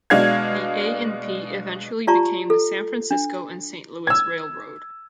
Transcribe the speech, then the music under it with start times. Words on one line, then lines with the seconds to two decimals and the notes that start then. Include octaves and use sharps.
The A and P eventually became the San Francisco and Saint Louis railroad.
0.10 B2 G#3 D4 F5 G#6
2.07 F4 G4 D5 A5 A#5 C#6
2.50 A4
3.11 D4
4.07 E6 G#6